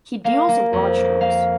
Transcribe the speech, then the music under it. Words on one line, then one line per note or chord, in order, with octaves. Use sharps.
He deals in broad strokes.
A#3 F5
A#3
F2
A#3
A#3 F5